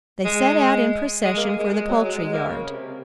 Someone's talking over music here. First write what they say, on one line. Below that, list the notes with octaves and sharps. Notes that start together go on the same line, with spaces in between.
They set out in procession for the poultry-yard.
G#3
G#3
A#3
G#3
G#3
G#3
F#3
G#3
G#3
A#3
C#3
C3